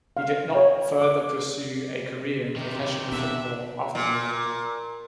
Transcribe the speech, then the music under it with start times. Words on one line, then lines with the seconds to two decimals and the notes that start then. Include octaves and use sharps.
He did not further pursue a career in professional football afterward.
0.17 F5
0.55 C#5
1.02 D6
2.56 C3 D#3 G4 A#5
3.12 B2 D4 E5
3.95 A#2